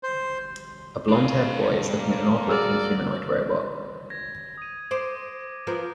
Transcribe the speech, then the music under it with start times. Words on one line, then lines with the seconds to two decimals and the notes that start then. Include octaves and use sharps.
A blondhaired boy is looking at an odd looking humanoid robot.
0.03 C5
1.08 D4 F5
1.60 G2
1.96 A#3
2.48 F#4 G#4 D5 E6 F6
4.10 G#6 A#6
4.58 D#6 D#7
4.91 C5 D6 D7
5.67 F3 B3 A#4